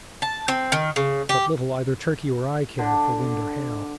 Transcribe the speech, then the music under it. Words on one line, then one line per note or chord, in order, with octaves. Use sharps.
But little either Turkey or I cared for wind or hail.
A5
C4
D#3
C#3
G4
D3